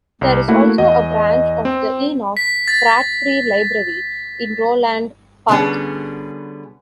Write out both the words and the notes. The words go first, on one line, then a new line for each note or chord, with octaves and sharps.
There is also a branch of the Enoch Pratt Free Library in Roland Park.
C2
A3 A#3 E4 F#4 F#5
E2 D#5
C4
B6
A6
B2 D3 G3 B3 C#4 G#4